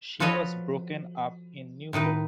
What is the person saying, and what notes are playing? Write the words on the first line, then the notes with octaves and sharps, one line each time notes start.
She was broken up in Newport.
F3 F#4 A4 B4 C#5 D#5
A2 D#3 D#4 B4